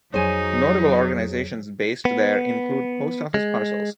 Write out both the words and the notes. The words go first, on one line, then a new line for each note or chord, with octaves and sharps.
Notable organisations based there include Post Office Parcels.
F2 F#3 D#4 G#4 C5 C#5 G#5
B3
G#3